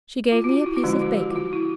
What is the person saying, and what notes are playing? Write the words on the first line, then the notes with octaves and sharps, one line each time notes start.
'She gave me a piece of bacon.'
F4
F#4
F4
E4
F#4
D3 F3 G#3 C#4 E4 F4
F#4
G4
F4
F#4
E4